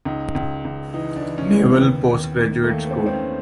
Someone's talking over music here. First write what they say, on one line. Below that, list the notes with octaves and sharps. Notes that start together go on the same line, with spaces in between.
Naval Postgraduate School.
C#2 D#4
C#2
C#2
E3 D#4
D4
E3
C#4
E3
B3
D#2
D#2
D#3
A3
D#2 A#3
B3
C4
D#3
C4
C#4